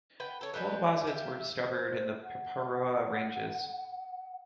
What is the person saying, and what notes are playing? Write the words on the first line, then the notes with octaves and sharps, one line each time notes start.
Coal deposits were discovered in the Paparoa Ranges.
B4 F#5 G5
A4 C#5
G3 G#3 G4 B4
G4 E5 F5
C5
F#5